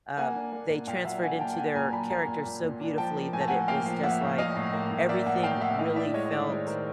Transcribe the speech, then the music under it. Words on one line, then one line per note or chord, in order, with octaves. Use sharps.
uh, they transferred into their characters so beautifully that it was just like, everything really felt
A#3 F#5 G#5
D4
A#3
A#2
A#2 F5 G5
F#3 E5 F#5
D4 F#5 G#5
A#3 G5 A5
G5
F#3 F#5 G#5
A#2 G#5 A#5
F#3 A5 B5
A#3 G#5 A#5
A#2
A#2
A#2
D4
F3 G5 A5
A#3
A2 G#5
A5
A2 F#5 G#5
A#3 F5 G5
F3
A#3 E5 F#5
A2
A2 D#5 F5
A2
A#3
A2
A#3 D5 E5
A2 E5 F#5
A2 F5 G5
A2 E5 F#5
E4 D#5 F5
E4 D5 E5
G#3 C#5 D#5
D#5
D#3 D5 E5
G#3 C5 D5
D#3 A#4 C5